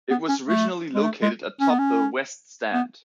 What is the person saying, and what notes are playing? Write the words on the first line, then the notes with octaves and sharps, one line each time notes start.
It was originally located atop the West Stand.
B3
C#4
A3
G#3
A3
G#3
C#4
B3
C#4
B3